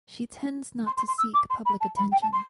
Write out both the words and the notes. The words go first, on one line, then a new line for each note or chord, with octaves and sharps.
She tends not to seek public attention.
C6
C6
C6
E6
D6
C6
B5
A5
B5
G5
A5
C6